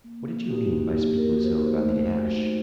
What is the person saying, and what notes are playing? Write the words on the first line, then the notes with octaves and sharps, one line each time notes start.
"What did you mean by speaking so about the Ash?"
A#3
D#4 F#4 G4
A#3 G4
A#4
D#4 F#4
C5
A3
D#4 F#4